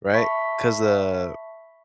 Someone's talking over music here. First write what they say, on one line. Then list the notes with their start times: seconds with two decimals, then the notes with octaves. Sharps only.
Right? 'Cause, uh,
0.14 E5 A5 B5 C#6 B6